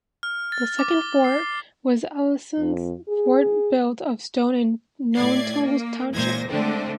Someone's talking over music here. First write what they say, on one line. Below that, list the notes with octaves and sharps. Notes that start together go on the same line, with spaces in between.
The second fort was Ellison's Fort built of stone in Knowlton Township.
F6
A6
D6
G7
C7
F2
G#4
A2 D5 G#6 C7
A#3
C#2 A#2 E3 C5 G#6 A#6
D3 G#3 A3 C4 D4